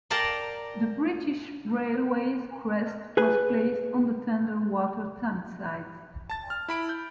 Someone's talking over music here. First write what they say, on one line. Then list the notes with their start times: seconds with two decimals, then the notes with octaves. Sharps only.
The British Railways crest was placed on the tender water tank sides.
0.10 A#4 D5 F5 G5 A5 A#5
3.17 G#4 B4 G#5
6.30 A5 A6
6.50 F6
6.68 E4 B5 D7
6.89 G6